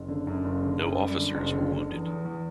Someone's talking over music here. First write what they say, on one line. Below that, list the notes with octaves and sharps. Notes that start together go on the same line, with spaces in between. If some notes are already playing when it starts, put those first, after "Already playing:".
No officers were wounded.
Already playing: F#1
D3
F#2
F#1
D3
F#2
G3
D3
F#1
D3
D3
E2
E2
E2